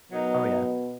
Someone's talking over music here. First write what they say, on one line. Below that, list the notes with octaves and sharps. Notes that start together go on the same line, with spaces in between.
Oh, yeah.
B2 F#3 D#4 A#4